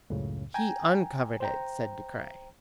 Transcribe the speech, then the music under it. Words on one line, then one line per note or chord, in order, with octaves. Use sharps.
"He uncovered it," said De Craye.
C#2 F#2 A2 C#3
G5 G#5 A#5
C5 G5 A#5